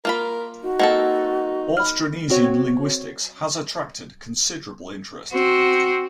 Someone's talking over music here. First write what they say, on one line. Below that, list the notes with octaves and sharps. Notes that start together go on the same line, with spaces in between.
Austronesian linguistics has attracted considerable interest.
A#3 F4 A#4 B5
D#4 F#4
A#3 C4 A4 D#5 F#5
B5 F6
C4 F#4 C#5
C4 F#4